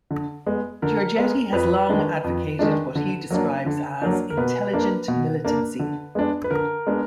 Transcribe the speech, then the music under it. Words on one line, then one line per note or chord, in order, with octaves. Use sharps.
Georgetti has long advocated what he describes as "intelligent militancy".
D3
G#3 B3
D3 A#4
G#3 B3
F2 B4
D#3 G#3 D4
F2
D#3 G#3 D4
D3
F#3 A#3 D4
D3
F#3 A#3 D4
A#4
B2 B4
A#3 D4
B2
A#3 D4
D3
G#3 B3 D4
B4
D3 A#4
G#3 B3 D4